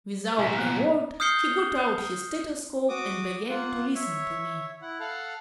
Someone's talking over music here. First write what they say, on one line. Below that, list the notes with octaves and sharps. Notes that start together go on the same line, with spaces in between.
Without a word he got out his stethoscope and began to listen to me.
C2 A#2
A#3 B3
D#6 F6 G6 C7 C#7 G7
F#4 D6 D#6
A#3 F4 F#5
C#5 E5
E4 F#5
A4 F5 F#5